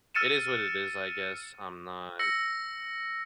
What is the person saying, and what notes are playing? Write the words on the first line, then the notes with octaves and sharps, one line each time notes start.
it is what it is, I guess, I'm not
E6 F6 A6 C#7 D#7 E7
E6 A#6 C#7